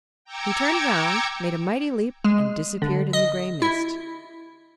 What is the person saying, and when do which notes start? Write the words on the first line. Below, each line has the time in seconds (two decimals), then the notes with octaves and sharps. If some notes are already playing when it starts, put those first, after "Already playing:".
He turned around, made a mighty leap and disappeared in the gray mist.
0.25 G5 A#5 D6 E6 G#6 C#7
2.24 G#3
2.82 D3
3.13 D#5
3.62 E4